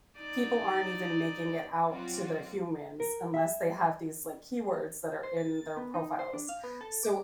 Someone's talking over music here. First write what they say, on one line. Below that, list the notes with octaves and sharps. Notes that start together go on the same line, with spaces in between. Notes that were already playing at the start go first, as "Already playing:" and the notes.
people aren't even making it out to the humans unless they have these like keywords that are in their profiles. So
D#4 D5
F3 F#3 C4 F4 F#4 D5
A#4
E5
C5
A6
A6
B3
D#4
C5
D4
F5
B3
A4
D6